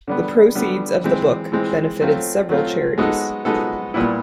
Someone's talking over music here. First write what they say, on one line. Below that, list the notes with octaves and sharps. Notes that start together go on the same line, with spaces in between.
The proceeds of the book benefited several charities.
D3 G3 B3
D3 G3 B3
E3 G#3 C4
E3 G#3 C4
F#3 A3 C4 F4
F#3 A3 C4 F4
G#3 B3 D#4 F#4 A4
G#3 B3 D#4 F#4 A4
A#2 G3 B3 E4